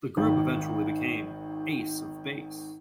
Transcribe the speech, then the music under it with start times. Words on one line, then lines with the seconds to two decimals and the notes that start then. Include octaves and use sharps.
The group eventually became Ace of Base.
0.17 G#1 D#3